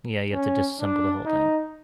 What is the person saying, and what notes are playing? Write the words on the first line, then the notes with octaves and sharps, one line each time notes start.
Yeah, you've to disassemble the whole thing.
C#4
D4
D#4